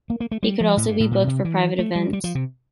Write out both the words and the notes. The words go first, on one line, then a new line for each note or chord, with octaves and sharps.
He could also be booked for private events.
A#3
A#3
A3
G3
F3
A2
G2
A2
A#2
C3
E3
A3
G3
G3
F3
C3